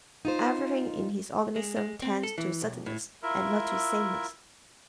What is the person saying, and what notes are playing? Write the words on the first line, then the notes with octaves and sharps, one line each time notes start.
Everything in his organism tends to suddenness and not to sameness.
D#4 F4 C5
G#3
G#3
C4
A4
E3
B1
A2
E4 F4 A#4 E5